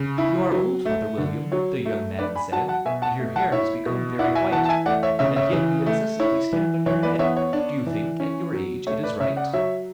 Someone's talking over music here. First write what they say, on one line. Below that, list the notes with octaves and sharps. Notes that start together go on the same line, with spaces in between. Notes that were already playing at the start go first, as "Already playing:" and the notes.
'You are old, Father William,' the young man said, 'And your hair has become very white; And yet you incessantly stand on your head-- Do you think, at your age, it is right?'
Already playing: C#3
E4
F#3
A3
D3
F#3 C#5
A3
D4 B4 D5
G#5 B5
F#3 F#5 A5
F#5 A5
B2 E5 G#5
F#5 A5
A3
F#5 A5
E4 C#5 E5
B2
E4 D5 F#5
E5 G#5
E3 F#5 A5
A5
E5 G#5
A3 D5 F#5
C#5 E5
C#3 C#5 E5
C#5 E5
E3
A3
E4 C#5
E3
E3 C#5
B4 D5
B3 C#5 E5
C#5
D4
E3
C#4
F#3
A3 C#5
B4 D5
C#3 C#5 E5
D5 F#5
F#3 C#5 E5